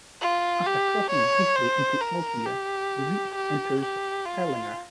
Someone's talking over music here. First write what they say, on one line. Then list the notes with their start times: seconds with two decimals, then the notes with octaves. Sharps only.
After crossing briefly into Elsmere, the route enters Erlanger.
0.22 F4
0.67 G4
1.11 C#5
1.56 C5
2.01 A#4
2.45 G4
3.35 G4
3.81 G4
4.25 F4